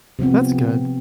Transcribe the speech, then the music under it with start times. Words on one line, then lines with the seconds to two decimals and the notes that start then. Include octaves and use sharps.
That's good,
0.19 C3 F3 B3 C4